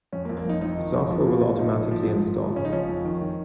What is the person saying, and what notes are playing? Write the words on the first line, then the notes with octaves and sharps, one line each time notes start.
Software will automatically install.
F2 C#4
A#3
F2
A#3
F2 D#4
F2 D#4
D#3
F2
F3
A#2
A#2
F3 D#4
F3
F3
G#2
F3
F3
C#3 C#4
D#4
F3 C#4
F2
D#3
D#3